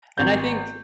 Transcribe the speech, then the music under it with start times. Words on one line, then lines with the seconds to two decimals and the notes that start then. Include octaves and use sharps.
And, I think
0.18 G#1 G6